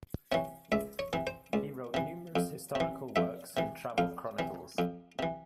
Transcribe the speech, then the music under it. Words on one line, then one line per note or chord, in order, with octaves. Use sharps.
He wrote numerous historical works and travel chronicles.
C3 E3 C#5
C#2 E5
C#5
C3 E3
C5
C#2
C3 E3
F2
C3
E3
F2 E5
C3 E3
F2 F5
C3 E3
F2
C3 E3